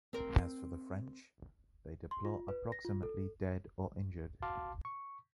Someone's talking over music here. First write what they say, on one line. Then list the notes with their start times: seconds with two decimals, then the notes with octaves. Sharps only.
As for the French, they deplore approximately dead or injured.
0.13 C4 A#4
2.11 C6
2.25 F4
2.48 B4
2.72 A#6
2.85 F4
3.03 A4
4.42 F#4 F5 A5 C6 D6
4.85 C#6